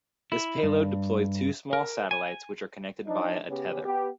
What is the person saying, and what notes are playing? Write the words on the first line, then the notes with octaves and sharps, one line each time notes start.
This payload deployed two small satellites which are connected via a tether.
E4
G2
A#4
G#5
F3 D4 D#4
C#3 B3 C#4 G4
B3 G4